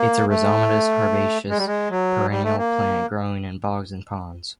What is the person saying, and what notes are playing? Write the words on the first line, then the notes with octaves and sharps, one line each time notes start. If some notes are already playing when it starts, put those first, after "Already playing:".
It is a rhizomatous herbaceous perennial plant growing in bogs and ponds.
Already playing: A#3
A3
G#3
G3
G#3
F#3
G3
A3
A#3